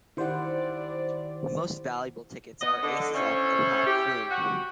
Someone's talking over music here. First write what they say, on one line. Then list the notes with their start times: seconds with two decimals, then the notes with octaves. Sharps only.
The most valuable tickets are Aces Up and Pop Fu.
0.17 D#3 E4 G4 C5 D5 F#5
2.61 B3 D#5
2.82 D3
3.14 C#4 E4 A4 C5 C#5
3.86 G4
4.30 F#4